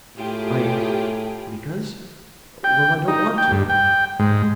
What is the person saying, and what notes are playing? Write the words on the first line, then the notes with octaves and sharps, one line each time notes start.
"I--because--well, I don't want to."
A2 F4 G4 G#4
G5
D#4
G5
G2
G5
G#2